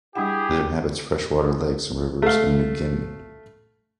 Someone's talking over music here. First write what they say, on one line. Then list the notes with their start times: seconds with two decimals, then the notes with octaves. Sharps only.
It inhabits freshwater lakes and rivers in New Guinea.
0.15 G3 D4 E4 G4 G#4 F#5
2.22 A3 F5